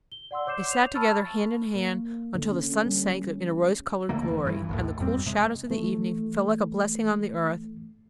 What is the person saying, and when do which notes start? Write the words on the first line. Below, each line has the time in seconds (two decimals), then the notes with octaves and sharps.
They sat together hand in hand until the sun sank in a rose-coloured glory and the cool shadows of the evening fell like a blessing on the earth.
0.12 G7
0.31 D5 F#5 C6 E6
0.47 C#5 D6 G6 C7 E7
0.71 F7
0.94 A5 B5 C#6 E6 F6 A6
1.75 A#3
2.35 D3
2.52 C#4
2.86 G3
4.09 C#2 D3 A3 A#3
4.26 F1 E3
4.45 G2 D3 E3
4.69 A#1 D#2 A2
4.99 G1 F2 G3 C4
5.26 C3 G#3
5.70 E3 A3